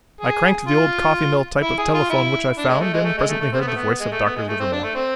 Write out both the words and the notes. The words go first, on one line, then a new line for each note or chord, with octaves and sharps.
I cranked the old coffee mill type of telephone which I found, and presently heard the voice of Dr. Livermore.
G#4
F4
E4
G#4
F4
E4
D4
G#3
A3
G#3
A3
G#3
A3
A3
C4
B3
A3
B3
G#3
A3
B3
G#3
A3
C4
D4
A3
C4